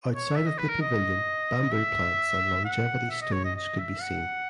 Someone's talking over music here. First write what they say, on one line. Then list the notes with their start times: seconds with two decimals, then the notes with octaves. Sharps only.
Outside of the pavilion bamboo plants and longevity stones could be seen.
0.13 C#5
0.36 E5
0.46 D#5
0.58 B4
0.69 A#4
0.81 D#5
1.72 E5
2.65 F#5
3.10 E5
3.21 D#5
3.32 C#5
3.44 D#5
3.55 D#5
3.78 E5
4.02 F#5